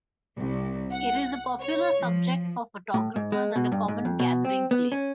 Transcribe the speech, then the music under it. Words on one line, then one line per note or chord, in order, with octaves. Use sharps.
It is a popular subject for photographers and a common gathering place.
C2
F#5
C#5
F3
A2
G#2
G#3
B2
G2
G#2
F2
B2
C4
B3
C#4